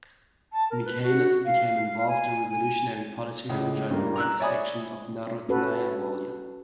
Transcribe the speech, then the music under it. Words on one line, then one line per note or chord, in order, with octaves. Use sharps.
Mikhaylov became involved in revolutionary politics and joined the Workers' Section of Narodnaya Volya.
A5
A#4
B4
F#4
F5
G#5
G#5
C#2 A2
G2 A#3
A#5 E6 F#6
C#5 D5 E5 G#5 B5 D#6
C#4 F#4 A4 B4